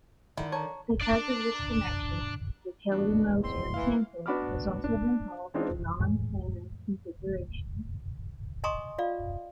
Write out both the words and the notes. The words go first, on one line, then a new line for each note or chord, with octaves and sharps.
Because of this connection, the Kelly-Moser example has also been called the non-Fano configuration.
D3 D#3 E4
C#5 A5 A#5
D4 D5
E2 B2 B3 D4 F#4
C4 C6
E3 F5
B3 D4 F#4 B5 D6 F6
D4
E3 G#3 C4 D4 D#4 F4
F2 A2 E3 G#3
D#5 G#5 A#5 C6 C#6 D#6
F4 D5 F5